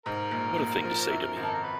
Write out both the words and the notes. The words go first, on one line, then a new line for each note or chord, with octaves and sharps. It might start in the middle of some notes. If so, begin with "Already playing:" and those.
What a thing to say to me!
G#2 A#4
A#1
A#1
F3
F#2
G#1
A4
A#4
B4